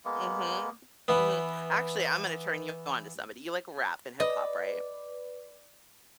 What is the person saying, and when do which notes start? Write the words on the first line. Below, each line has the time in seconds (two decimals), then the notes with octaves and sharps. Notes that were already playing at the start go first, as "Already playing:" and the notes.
Mhm, mhm. Actually, Imma na turn you on to somebody. You like rap and hip hop, right?
0.05 G#3 A#3 B3
1.08 E3 B3
4.20 B4 D5 D#5